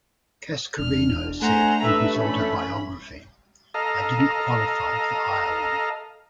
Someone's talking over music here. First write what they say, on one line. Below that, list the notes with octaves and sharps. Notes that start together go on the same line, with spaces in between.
Cascarino said in his autobiography: I didn't qualify for Ireland.
E1 D4 F6
A3 C5 F#5 G#5 A#5
G2 B4 E5
E3 C#4 B5
A4 D#5 F5 A#5